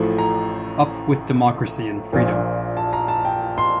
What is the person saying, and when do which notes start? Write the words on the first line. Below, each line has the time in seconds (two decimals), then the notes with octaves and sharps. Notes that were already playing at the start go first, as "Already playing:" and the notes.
Up with democracy and freedom!
Already playing: A1 A2 F3 A3
0.18 A#5
2.12 A#1 A#2 F3
2.77 A5
2.93 A#5
3.08 A5
3.25 G5
3.58 C6